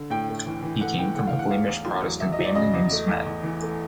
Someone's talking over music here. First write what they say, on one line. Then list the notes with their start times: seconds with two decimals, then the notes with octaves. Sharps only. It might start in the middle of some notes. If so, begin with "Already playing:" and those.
He came from a Flemish Protestant family named Smet.
Already playing: D3
0.10 A2 G5
0.28 A3
0.46 E3
0.63 E3
0.81 A3 F#5
0.98 E3 G5
1.15 A2 F#5
1.27 F5
1.34 A2
1.39 F#5
1.50 E2 F5
1.68 E2
1.86 F#3
2.03 E2
2.20 E2 E5
2.32 D#5
2.39 F#3
2.45 D5
2.55 C#3 D#5
2.74 E2
2.91 A3
3.08 E2
3.26 E2
3.43 E3
3.61 A3